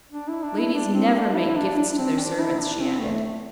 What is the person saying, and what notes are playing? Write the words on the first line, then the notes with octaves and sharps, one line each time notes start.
"Ladies never make gifts to their servants," she added.
D4
E4
D4
E4
D4
C4
D4
E4
E4
D4
D4
D4
C4
D4
E4
D4
C4
A3